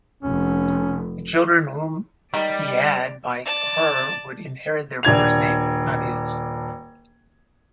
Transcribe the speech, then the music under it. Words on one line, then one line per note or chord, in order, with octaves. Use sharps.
The children whom he had by her would inherit their mother's name, not his.
F1 C#4
D#3 G3 D5
D5 A5
D#1 D4 G#6 F7